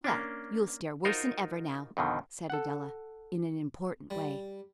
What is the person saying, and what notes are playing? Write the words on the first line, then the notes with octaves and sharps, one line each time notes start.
"Well, you'll stare worse than ever now," said Adela, in an important way.
A#3 C#4 D4
D#4 F4 F#4 A#4 C5
F2 B2 D3 D#3
A4 F#5
G3